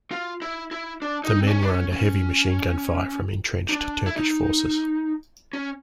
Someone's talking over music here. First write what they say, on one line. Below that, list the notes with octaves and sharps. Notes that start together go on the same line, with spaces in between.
The men were under heavy machine gun fire from entrenched Turkish forces.
F4
E4
E4
D4
D#4
C4
C#4
D4
C#4
C#4
D#4
D4
E4
D#4
C#4